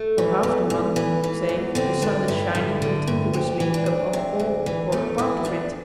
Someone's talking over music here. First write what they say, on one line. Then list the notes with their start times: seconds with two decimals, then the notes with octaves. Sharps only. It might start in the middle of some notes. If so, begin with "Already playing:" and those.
For half the month, say, the sun is shining continuously upon all or a part of it.
Already playing: A3
0.18 E3
0.43 E2
0.70 E2
0.96 E3
1.24 E3
1.49 E2
1.75 D3 C4
2.02 G2 D4
2.28 G2 E4
2.55 D3
2.82 D3
3.07 G2
3.33 D2 G4
3.60 E3
3.74 D4
3.86 D2
4.13 C3
4.40 D2
4.66 E3
4.92 E2 A3
5.18 E3 E4
5.45 E2 D4